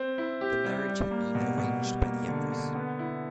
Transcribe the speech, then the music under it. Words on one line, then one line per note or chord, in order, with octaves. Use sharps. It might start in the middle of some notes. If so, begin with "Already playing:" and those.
The marriage had been arranged by the Empress.
Already playing: C4
E4
G4
G3
G3
A#3
B2
B2
G3
A#3
D3
D3
B3
E4